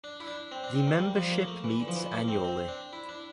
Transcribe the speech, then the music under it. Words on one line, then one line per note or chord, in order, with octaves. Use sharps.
The membership meets annually.
D4
E4
D4
C4
D4
C4
A#3
G3
F3
A#3
A3
E3
D3
F3
E3
A#3
C4
C4
D4
E4
D4